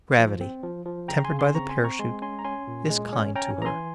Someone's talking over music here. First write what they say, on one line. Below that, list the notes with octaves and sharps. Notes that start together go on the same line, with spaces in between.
Gravity, tempered by the parachute, is kind to her.
F3
C4
F3
F3
C#3 G5 A#5
G#5 C6
C#3
G#5 C6
C4 A#5 C#6
G#5 C6
C4
A#5 C#6
G#3 G#5 C6
C#4 G#5 C6
A#5
C#4 G#5 C6
A#2
G#3
C#4
C#4 G5 A#5
E3 A#5
G#5 C6